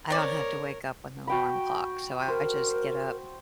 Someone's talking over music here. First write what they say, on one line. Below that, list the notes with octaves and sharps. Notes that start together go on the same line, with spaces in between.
I don't have to wake up with an alarm clock, so I just get up,
C4 A#4 C#5 D5
F#4 G5 B5
A#4 C5